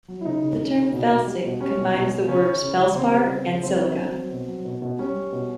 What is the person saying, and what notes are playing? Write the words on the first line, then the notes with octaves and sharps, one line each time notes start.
The term "felsic" combines the words "feldspar" and "silica".
F#3
E4
C#3 D#4
C#3
C#3
C#3
B2
B2
G3
B2
G3 C#4
B2
B2
B2
C#3 C#4
C#3
C#3
E3
C#3 C4
G3
C#3
C#3
F#3 C4
F#3
F#3
F#3
B2
F#3
B2
B2
G3 C#4
G3
B2